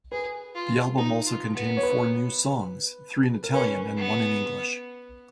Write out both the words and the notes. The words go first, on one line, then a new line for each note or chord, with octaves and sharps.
The album also contained four new songs; three in Italian and one in English.
G#4 B4
F4
D#4
F4
B3
C#5
B4
A#4
C#4 B4
B3